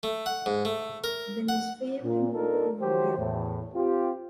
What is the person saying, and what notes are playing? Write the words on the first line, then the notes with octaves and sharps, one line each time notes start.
Then his family moved to Montreal.
A3
F#5
G#2
A3
A#4
F#5
A#2
D4 D#4 F4 A4 A#4
D#3 F3 F#3 G4 C5
E2 A2
C4 F4 G4